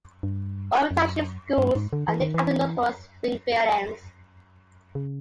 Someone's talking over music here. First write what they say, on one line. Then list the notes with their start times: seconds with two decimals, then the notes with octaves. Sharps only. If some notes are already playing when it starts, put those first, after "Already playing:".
All of the township's schools are named after notable Springfieldians.
0.23 G2
0.91 F#2
1.58 G2
1.75 G#2
1.93 D3
2.08 E3
2.21 D#3
2.34 E3
4.95 C#3